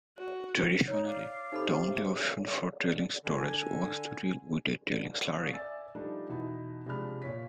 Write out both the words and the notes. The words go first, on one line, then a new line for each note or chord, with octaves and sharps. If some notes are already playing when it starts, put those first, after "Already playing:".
Traditionally, the only option for tailings storage was to deal with a tailings slurry.
F#4
D#4 C#5
D5 F5 D6
C3 D#4 A4 B5
D3 G#5
F5 C#6 D#6
D5 E5 G#5 E6 A6
F3 G3 A3 D4 D#4
E2 B2 D#4 E4
C3 F3 G#3 D4 B5 F6
A#2 C#5 B6